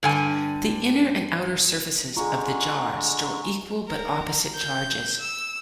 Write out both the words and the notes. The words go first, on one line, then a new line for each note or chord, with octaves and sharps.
The inner and outer surfaces of the jar store equal but opposite charges.
G2 D3 G#5
D3 G#3 F4 G#4 A#5 C#6
A#4
G6
E6